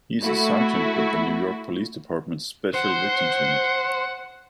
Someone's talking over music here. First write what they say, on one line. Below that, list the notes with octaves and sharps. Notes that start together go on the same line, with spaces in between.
He is a sergeant with the New York Police Department's Special Victims Unit.
A3 E4 F#4
C5 F#5